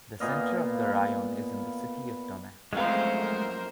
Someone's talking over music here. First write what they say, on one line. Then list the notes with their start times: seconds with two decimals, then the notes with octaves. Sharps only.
The center of the raion is in the city of Donetsk.
0.20 A#2 B3 D#5 F5
2.73 F#2 F3 G#3 A3 C4 A#4 C5 F5
3.18 A#3